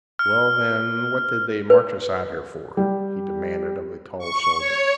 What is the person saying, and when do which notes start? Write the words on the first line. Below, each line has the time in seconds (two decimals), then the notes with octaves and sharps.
"Well, then, what did they march us out here for?" he demanded of the tall soldier.
0.19 F6
1.70 B4
2.77 G3
4.18 C#6
4.58 C#5